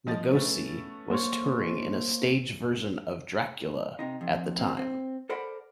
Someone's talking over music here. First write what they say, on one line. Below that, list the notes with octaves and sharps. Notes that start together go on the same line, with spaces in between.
Lugosi was touring in a stage version of "Dracula" at the time.
F3 D#5 A6
A3 B3 C#4
A#3 C5 C#5
C3 D#4
F2
C3 C4
C4
A4 A#4 C5 D5 F#5 B5